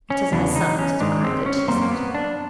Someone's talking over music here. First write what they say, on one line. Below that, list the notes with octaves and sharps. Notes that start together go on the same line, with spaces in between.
"It is my son that is behind it," he said.
C#4
E2 C#3 E3 D4
D#4
C#4
G#2 D#3 G#3 D4
C4
C#4
F#2 D#3 G3 A#3 C4
A#3
B3
D4